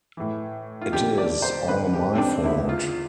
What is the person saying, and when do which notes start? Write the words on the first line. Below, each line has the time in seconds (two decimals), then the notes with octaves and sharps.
It is all my fault.
0.17 A2 E3
0.81 F4
0.92 F2 D3 G4
1.18 D5
1.42 C5
1.68 F2 D3 B4
1.93 G4
2.15 C4
2.18 D4
2.44 E2 D3 E4
2.69 F4